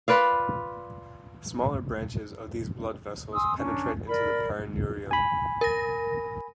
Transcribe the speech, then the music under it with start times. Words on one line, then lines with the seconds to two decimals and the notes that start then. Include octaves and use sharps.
Smaller branches of these blood vessels penetrate into the perineurium.
0.08 F4 B4 D5 F5
3.33 G#5 C6 D#6 E6
3.59 C#4 D4 A#4
4.07 A#4 D5 B5
5.11 G#5 B5
5.61 A#4 A#6